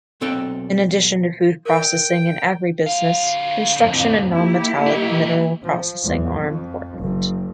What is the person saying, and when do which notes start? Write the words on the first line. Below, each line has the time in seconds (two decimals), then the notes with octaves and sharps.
In addition to food processing and agribusiness, construction and non-metallic mineral processing are important.
0.21 B1 C4 A4 G5
1.65 A#4 D5 G5
2.86 D3 F5
3.80 F2 A2
4.34 A#3 E4 G4
4.86 F#3 D#5
5.64 F3
6.03 E2
6.39 F2
7.00 F#1